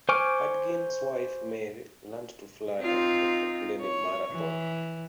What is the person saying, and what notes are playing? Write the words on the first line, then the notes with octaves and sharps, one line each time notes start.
Hudgins' wife Mary learned to fly and kept a plane in Marathon.
C5 G#5 C#6 D6 F6
C4 D#4 F4
C#5
E3